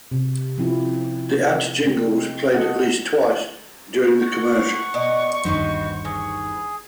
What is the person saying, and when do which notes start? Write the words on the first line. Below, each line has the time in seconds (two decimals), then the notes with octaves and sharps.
The ads' jingle was played at least twice during the commercial.
0.11 C3
0.58 F3 C4 E4 F4
1.85 G#3 C4
2.55 A4 D#5 F#5
4.21 F#5 C#6
4.94 B2 D5 D#5
5.44 G1 D#2 C4 F#4 B4 C5 D#5
6.05 E3 G#4